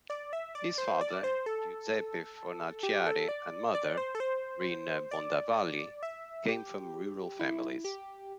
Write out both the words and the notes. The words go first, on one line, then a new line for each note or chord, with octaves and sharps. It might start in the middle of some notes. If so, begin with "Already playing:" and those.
His father, Giuseppe Fornaciari, and mother, Rina Bondavalli, came from rural families.
D5
E5
D5
C5
D5
C5
A4
G4
A4
D5
D5
C5
A4
C5
D5
E5
G4
E4
G4